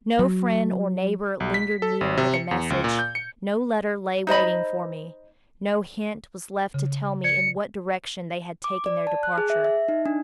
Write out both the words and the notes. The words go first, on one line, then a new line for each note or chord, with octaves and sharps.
No friend or neighbor lingered near with a message; no letter lay waiting for me; no hint was left to tell me in what direction they had taken their departure.
F#3
B1
B6
A4
G#1
C3
C#7
E2
C#2
A#2
G6
C#7
D#4 C5 D#5 B5
C#3
D5 G#6 C#7
D6
D5
A5
F#6
G#4
E5
E5
D#4
D4